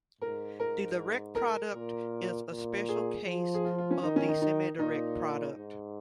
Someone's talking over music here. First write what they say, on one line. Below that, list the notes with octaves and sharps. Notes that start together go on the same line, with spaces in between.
The direct product is a special case of the semidirect product.
G#2 A#4
A#4
A#4
A#2
A#2
G#4
F3
G#4
F4
F4
C#4
D#3 D#4
C#4
D#4
D#4
A#2 D#4
G#2